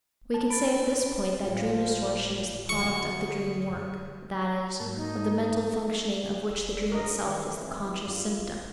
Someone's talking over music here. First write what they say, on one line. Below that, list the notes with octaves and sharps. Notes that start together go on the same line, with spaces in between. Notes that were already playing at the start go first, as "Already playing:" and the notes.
We can say at this point that dream distortion is the product of the dream work, that is, of the mental functioning of which the dream itself is the conscious symptom.
A5
B5 A6 D7
G1 A2 F3 G#3
F#2 D3 F#3 G#4 C#6
G#2 A#3 A5
D#4
E1 G3 E6
F#2 C#4 D4 A#4 D#5
D#3 E3 C#5
C4
G2 G3 F4
G1